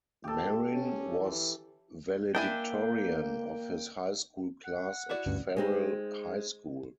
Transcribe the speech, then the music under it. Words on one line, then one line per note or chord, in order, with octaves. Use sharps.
Marin was valedictorian of his high school class at Farrell High School.
A#2 G4 A4
C#4
E3
A#3 D4 E4 G5 G#5
F#5
E4 F#4 D5
D2 G2 C#4
G#3 C4 D#4